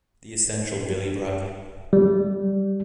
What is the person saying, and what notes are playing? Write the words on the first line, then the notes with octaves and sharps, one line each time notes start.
The Essential Billy Bragg.
G3